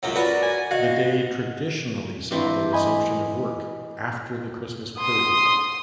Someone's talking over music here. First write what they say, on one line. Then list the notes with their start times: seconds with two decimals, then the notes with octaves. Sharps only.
The day traditionally saw the resumption of work after the Christmas period.
0.03 C#2 F#2 F#3
0.16 F#4 A#4 B4 D5
0.43 G#5
0.71 F#4 D#5 F5
2.31 E3 C4 D4
2.73 D#5 G#5 B5
4.97 C6 D#6